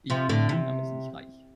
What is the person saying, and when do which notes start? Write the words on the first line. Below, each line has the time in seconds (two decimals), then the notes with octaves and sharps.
Ich bin unermesslich reich.
0.10 C3 F3
0.29 A2 D3
0.49 C3